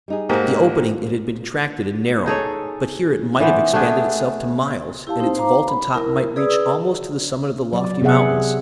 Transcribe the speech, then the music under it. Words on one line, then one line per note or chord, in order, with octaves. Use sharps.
At the opening it had been contracted and narrow; but here it might have expanded itself to miles, and its vaulted top might reach almost to the summit of the lofty mountains.
G3 D#4 G#4
G#2 A#3 F#4 G4 C5
D#4 G#4 A4 C#5
E3 B3 C5
A3 B3 D4 G#4
E4 G4 F5 A5
C4 D#4 C5
C5 F5 A#5 D6
B5
E4 A#4
G#4 B4 D5 D#6 E6
F#3 D5
C3 B3 G#4 E5 F#5